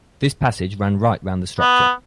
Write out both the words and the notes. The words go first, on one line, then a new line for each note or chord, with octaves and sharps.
This passage ran right round the structure.
B3